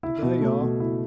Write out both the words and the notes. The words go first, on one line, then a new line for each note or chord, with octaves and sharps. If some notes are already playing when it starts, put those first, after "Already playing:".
But there ye are!
E4
B2
A3
B2
E4